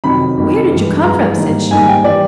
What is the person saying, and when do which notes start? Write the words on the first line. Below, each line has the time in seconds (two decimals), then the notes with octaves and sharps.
"Where did you come from?" said she.
0.04 F2 C3 D#3 F#3 B5
0.37 F2 C3 D#3 F#3
0.71 G2 E3 G#3
1.04 G2 E3 G#3 A#5
1.37 G#2 D#3 G3 A#3
1.71 G#2 D#3 G3 A#3 G#5
1.87 G5
2.04 E3 G3 D5